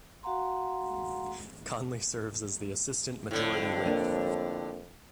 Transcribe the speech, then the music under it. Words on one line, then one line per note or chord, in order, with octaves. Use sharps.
Conley serves as the Assistant Majority Whip.
F#4 F5 F#5 A#5 C6
F2 A2 D3
A#3 D4